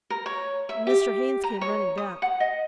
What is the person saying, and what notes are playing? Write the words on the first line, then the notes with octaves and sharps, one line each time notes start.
Mr. Haynes came running back.
A#4
C#5
E5
G4
A#5
C#5
D#6
F#5
D#5